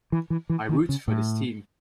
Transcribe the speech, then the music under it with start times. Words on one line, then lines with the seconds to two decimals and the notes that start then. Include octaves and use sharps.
I root for this team.
0.12 E3
0.30 E3
0.49 E3
0.69 D#3
0.89 C#3
1.08 A2